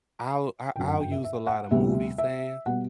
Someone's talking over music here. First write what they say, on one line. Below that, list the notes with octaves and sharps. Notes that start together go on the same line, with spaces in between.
I'll I I'll use a lot of movie sayings
G1 F#2 D3 G5
F#5
G5
E5
E5
F#5
D2 C3 G3 B3 E5
E5
B2 G3 B3 F#5